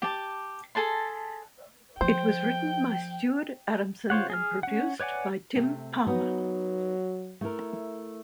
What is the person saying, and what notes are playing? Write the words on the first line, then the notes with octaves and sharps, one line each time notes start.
It was written by Stuart Adamson and produced by Tim Palmer.
G4 A5
G#4 A4 A5 C6
F3 C5 G5
F4 C5 C#5 F#5
G#4 F6
C#4 F#5
B4 C#5 D5 F#5 G#5
C3 A3
F#3 B3 D#4 D#5
A3 E4 A#4